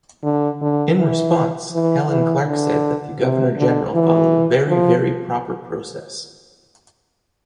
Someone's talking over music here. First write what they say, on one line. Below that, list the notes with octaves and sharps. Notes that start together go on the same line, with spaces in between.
In response, Helen Clark said that the Governor-General followed a "very, very proper process".
D3
D3
E3
E3
E3
D3
C3
D3
E3
F3